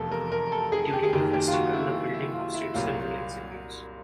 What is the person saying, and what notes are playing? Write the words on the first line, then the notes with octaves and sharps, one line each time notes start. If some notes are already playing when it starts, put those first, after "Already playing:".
During the festival, the building hosted several exhibits.
Already playing: F1 E2 C3 F3 A#3 A4
A#4
A#4
A4
G#4
G4
G#4
F#1 F#2 D#3 G4
G4
F4
F#4
E4
E4
F4
E4
C2 A#2 F#3 F4